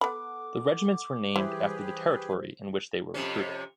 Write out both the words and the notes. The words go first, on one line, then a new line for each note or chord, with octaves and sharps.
The regiments were named after the territory in which they were recruited.
B3 A4 F#5 B5 D6
E3 G3 E4 G4 G#4 B4 C5
F2 C3 C#4